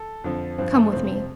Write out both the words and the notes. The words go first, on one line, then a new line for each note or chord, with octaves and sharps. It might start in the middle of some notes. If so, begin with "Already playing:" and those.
Come with me.
Already playing: A4
F2 D3 F3
G2 F3 C4
A3
F2 C3 F3 C4
C4
C4